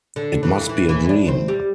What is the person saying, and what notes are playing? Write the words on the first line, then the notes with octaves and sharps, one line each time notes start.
It must be a dream!
D3
E3
E3
E3
D4
C4
G3